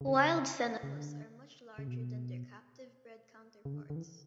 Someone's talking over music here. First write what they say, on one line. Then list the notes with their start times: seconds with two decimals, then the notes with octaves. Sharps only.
Wild "Xenopus" are much larger than their captive bred counterparts.
0.01 C#3
0.07 D3
0.15 C#3
0.83 C#3
0.94 D3
1.78 C#3
1.87 B2
3.65 C#3
3.74 D3
3.90 D3
3.96 E3